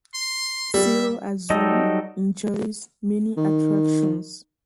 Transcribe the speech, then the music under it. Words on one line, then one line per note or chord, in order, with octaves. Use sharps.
Cerro Azul enjoys many attractions.
C6
G3 E5
F#3 G3 D#4 A4 D#5
D#3